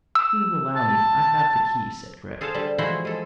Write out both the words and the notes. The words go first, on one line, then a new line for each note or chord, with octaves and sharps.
"If you will allow me, I have the key," said Grey.
E6
A5
G#4 A4 C5 F5 A5
D3 G3 A5
E3 F3 G#3 E4 F#4 C5
G#3 A4